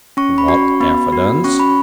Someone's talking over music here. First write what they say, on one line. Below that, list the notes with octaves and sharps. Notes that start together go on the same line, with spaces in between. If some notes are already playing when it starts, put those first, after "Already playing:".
"What evidence?"
C#4 C#6
B5
F#4 C#6
B3 B5
F#4
C#4 C#6
B5